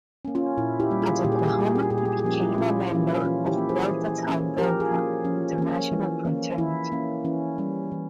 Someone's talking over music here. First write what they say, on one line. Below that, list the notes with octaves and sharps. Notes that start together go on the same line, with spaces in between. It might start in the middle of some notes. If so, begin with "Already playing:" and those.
At Oklahoma he became a member of Delta Tau Delta International Fraternity.
C#4
A#3
C#4 F4
A#2 E4
E4 G4
G3 A#3
F4 G#4
A#2 G4
G#4
G4
G#4
G4
G3 A#3 G#4
G4
G#4
G4
A#2 G#4
G4
G#4
G4
G#4
F3 A#3 C#4 G4
G#4
E4 G4
A#2 C#4 F4
F3 A#3 C#4 E4
E3 C#4 F4
E4 G4
A#3 C#4
G#4 C5
E3
A#3 C#4
F3 G4 A#4
F4 G#4
A#3 C#4
F3 C#4
A#3 C#4
E3
A#3 C#4
E3 E4
A#3 C#4
E3 C#4
G3 C#4
E3